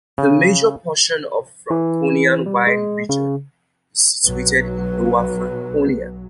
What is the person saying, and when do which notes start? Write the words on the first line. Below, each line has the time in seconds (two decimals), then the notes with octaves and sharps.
The major portion of the Franconian wine region is situated in Lower Franconia.
0.18 C#3
1.70 E3
2.46 G3
2.67 G#3
3.09 C#3
4.24 B1 F#3 B4